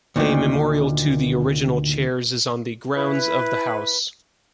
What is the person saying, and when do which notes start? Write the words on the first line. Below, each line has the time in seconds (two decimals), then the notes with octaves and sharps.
A memorial to the original chairs is on the grounds of the house.
0.16 D2 A#2 D#3
2.95 E4 B4